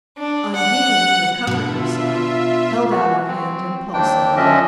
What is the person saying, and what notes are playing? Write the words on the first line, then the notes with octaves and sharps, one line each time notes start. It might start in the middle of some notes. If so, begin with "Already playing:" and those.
Undine, recovering herself, held out her hand impulsively.
D4
F#5
B2 D4 F4 E5
F#4
C4
D#2 D4 G5
F#2 F3 C#4 D4 D#5 E5